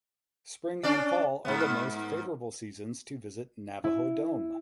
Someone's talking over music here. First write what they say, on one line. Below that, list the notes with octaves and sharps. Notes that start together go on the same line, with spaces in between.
Spring and fall are the most favorable seasons to visit Navajo Dome.
C#4 D4 D5
G#2 B3
E4